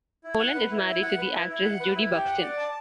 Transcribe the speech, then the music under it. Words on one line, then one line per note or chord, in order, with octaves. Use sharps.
Holland is married to the actress Judy Buxton.
E4
F#5
B4
E4
E4
F#5
B4
E4
E4
F#5
B4
E4
G4
F#5
D5
A5